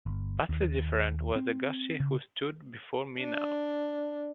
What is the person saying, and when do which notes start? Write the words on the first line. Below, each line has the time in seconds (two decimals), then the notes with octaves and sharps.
Vastly different was the Gussie who stood before me now.
0.06 G1
0.49 D#2
1.36 C4
2.00 C#3
3.21 D4